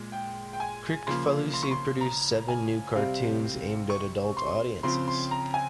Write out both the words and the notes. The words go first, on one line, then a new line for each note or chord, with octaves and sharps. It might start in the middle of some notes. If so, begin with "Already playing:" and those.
Kricfalusi produced seven new cartoons aimed at adult audiences.
Already playing: A#2 G#3
G5
G5
G#5
C#3 F3 A#3 C6
C6
C#6
C6
A#5
G#5
C3 G3 C4 F5
C#6
C6
C#3 F3 C4 C6
C6
A#5
G#5